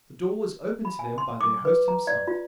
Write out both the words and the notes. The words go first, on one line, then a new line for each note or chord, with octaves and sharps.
The door was opened to them by their host himself.
B5
G#5
C6
D6
B4
A#5
D5
F4